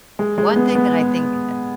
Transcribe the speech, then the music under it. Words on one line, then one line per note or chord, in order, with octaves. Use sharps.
one thing that I think,
G#3
G#3
B3
B3